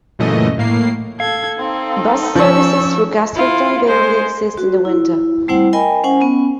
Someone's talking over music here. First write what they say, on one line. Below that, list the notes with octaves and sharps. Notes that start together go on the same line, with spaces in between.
Bus services through Castleton barely exist in the winter.
F#2 A#2 C#3 E3 A3 D#5
A2 A#3 C7
A4 F5 G#6
C4 D#4 A4
F3 C#4 G#5 C#6 E6
E4 F4
G#3 C5
F#4
E4
G3 A3 C4 E4 C5 F#5
A#4 D#5 G5 G#5 B5
C#4 C5 F#5 G#5
B3 C#4